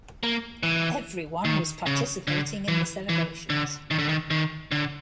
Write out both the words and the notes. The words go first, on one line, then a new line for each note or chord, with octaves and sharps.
Everyone was participating in the celebrations.
A#3
E3
D#3
C#3
D3
E3
E3
D3
D#3
D3
D#3
D#3
D3